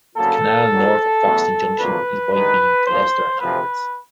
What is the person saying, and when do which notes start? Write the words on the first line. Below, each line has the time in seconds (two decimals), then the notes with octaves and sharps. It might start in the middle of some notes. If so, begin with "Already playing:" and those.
The canal north of Foxton Junction is wide-beam to Leicester and onwards.
0.17 D2 C#3 F#3 A#3 A4
0.71 A#1 A#2 F#3
1.25 E2 B2 F#3 A3
1.79 D2 C3 F3 A#3 B4
2.32 G2 D#3 G#3 B4
2.87 B1 A#2 F3 C5
3.41 D2 C3 F3 B4